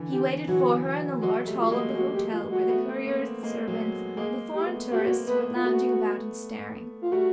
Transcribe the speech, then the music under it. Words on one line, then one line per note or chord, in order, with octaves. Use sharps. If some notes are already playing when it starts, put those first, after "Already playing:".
He waited for her in the large hall of the hotel, where the couriers, the servants, the foreign tourists, were lounging about and staring.
Already playing: D3 E3
G4
E3 F#3 F#4
F#3 G#3 F#4
G3 A3
F4
G#3 A#3
F#4
G4
F4
F#4
A3 B3
A#3 C4
G#3 A#3
F#3 G#3
G#3 A#3 G#4
G4
A3 B3
A#3 C4 F#4
G4
F#4
A3 B3 B4
F4
A3 B3 F#4
F4
G3 A3 F#4